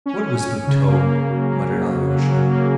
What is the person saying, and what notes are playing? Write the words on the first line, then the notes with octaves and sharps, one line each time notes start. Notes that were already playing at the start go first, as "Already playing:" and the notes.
"What wisp of tow?" muttered Alyosha.
C#4
C#4
C#4
C#3
A#3
A#3
F#3
A#3
F#3
F#3
F#3
F#3
A#3